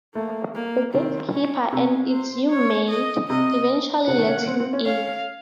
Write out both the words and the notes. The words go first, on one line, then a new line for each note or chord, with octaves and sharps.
The gatekeeper, an "Itsumade", eventually lets him in.
A3 A#3
A#3
D#3 C4
C#4
C3 C#4
C5
C#5
D#5
C3 D#5
C#3 F#5
D#3
C#4
A#3
C4
C4
C#4
C#4 F5